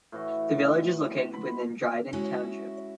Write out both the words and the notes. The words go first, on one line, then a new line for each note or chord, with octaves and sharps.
The village is located within Dryden Township.
A2 E3 F#4
B5 C6
G#3 C#4 E4 F#4